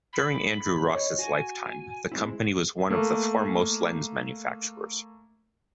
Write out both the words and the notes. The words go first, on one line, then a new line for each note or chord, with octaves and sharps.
During Andrew Ross's lifetime, the company was one of the foremost lens manufacturers.
B5
C#5 D#5
F#4 G#5
G#3 C4 E4
A3 A#3